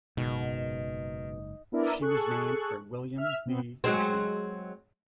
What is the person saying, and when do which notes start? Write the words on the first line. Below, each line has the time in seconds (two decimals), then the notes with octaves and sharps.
She was named for William B. Cushing.
0.17 F#1 G#2 B2 D#3
1.72 B3 D4 E4 A#4 D5 E5
2.01 G#4 A4 C#6 F#6
3.17 E5 F6
3.45 B2 B3 C4
3.84 F#3 G#3 C4